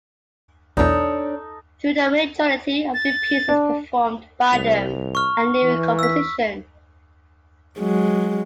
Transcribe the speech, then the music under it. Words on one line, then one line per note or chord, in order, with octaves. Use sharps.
Though the majority of the pieces performed by them are newer compositions.
B1 E2 D4 D#4 A4 C#5
A6
D4
C2 F7
C#6 F6
E3
E6 B6
F#3 G#3